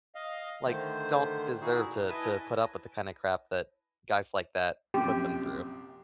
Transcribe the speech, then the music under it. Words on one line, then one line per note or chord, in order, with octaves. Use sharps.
like, don't deserve to to put up with the kinda crap that guys like that put them through.
D#5 F5
D3 D#3 A3 C5
D#4 E4 F#4 G#4
A#2
E4 B4 D#5 G#5 A5
A#1 F#2 C3 G4